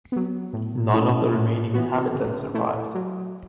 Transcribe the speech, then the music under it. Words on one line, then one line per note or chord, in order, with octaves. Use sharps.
None of the remaining inhabitants survived.
F#3 B3
A2
A3 C#4 E4
A2
E3 B3 F#4
C#3
A3 E4
F#3